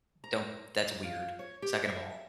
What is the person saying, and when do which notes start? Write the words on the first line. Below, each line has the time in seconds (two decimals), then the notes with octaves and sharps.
don't that's weird. Second of all
0.24 A#5
1.04 F4
1.39 C#5
1.62 G4
1.86 E5